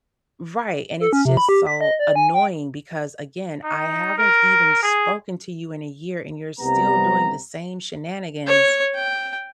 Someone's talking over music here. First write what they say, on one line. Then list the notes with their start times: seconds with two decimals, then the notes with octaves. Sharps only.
Right, and it's just so annoying because, again, I haven't even spoken to you in a year, and you're still doing the same shenanigans
1.01 A4
1.13 C#4
1.25 C3
1.37 B5
1.49 G4
1.67 B6
1.81 D#5
1.99 D5
2.15 G#5
2.34 G5
3.64 D#4
4.18 A#4
4.83 G#4
6.59 C2 C3 G3 B3 A#5
8.47 C#5
8.95 G5